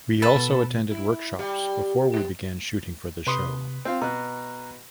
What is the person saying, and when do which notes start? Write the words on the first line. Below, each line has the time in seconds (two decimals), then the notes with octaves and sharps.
We also attended workshops before we began shooting for the show.
0.22 A4 B4 A5
0.36 B2
0.91 E4
1.39 G3
2.14 A2
3.27 C3 B4 C6 D#6
3.85 C4 F4 F5
4.02 B2 A#5 F#6